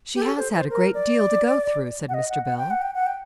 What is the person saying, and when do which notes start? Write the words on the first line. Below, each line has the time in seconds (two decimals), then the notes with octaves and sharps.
'She has had a great deal to go through,' said Mr. Bell.
0.15 G4
0.22 A4
0.38 C5
0.54 C5
0.70 A#4
0.94 D5
2.09 F#5
2.14 D#5
2.30 F#5
2.45 F#5
2.57 G5
2.70 F#5
2.82 G5
2.95 F#5
3.07 G5